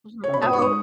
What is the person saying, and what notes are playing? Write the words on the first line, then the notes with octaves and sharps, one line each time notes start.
Mhm. Oh
C#3 C#5
B2 B5
D#6
G#2 C#6
D#6